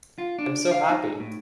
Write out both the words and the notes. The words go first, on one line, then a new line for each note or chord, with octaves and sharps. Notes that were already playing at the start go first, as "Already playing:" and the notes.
I’m so happy.
F4
D4
F5
D#4
A2